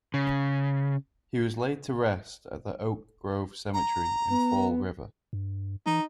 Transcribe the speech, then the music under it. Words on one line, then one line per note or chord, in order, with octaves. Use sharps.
He was laid to rest at the Oak Grove Cemetery in Fall River.
C#3
A#5
B3
G2
E3 D#4